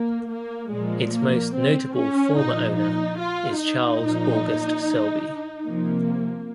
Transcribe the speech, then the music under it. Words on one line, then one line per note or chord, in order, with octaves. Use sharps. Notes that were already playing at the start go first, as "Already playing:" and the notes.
Its most notable former owner is Charles August Selby.
Already playing: A#3
A#3
A#2 F3 G#3
A#3
C4
C#4
A#2 F3 D#4
D#4
F4
D#4
A#2 F3
C3 F3 A#3